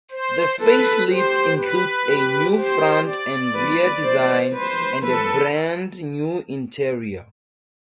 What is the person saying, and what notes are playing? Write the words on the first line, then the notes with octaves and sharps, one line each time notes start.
The facelift includes a new front and rear design, and a brand new interior.
C5
A4 B4
G4 C5
B4
G4
C5
D5
B4
C5
B4 C5
A4 B4